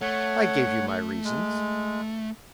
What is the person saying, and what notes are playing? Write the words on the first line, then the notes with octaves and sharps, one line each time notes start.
"I gave you my reasons."
A3 C#5 F#5
G#3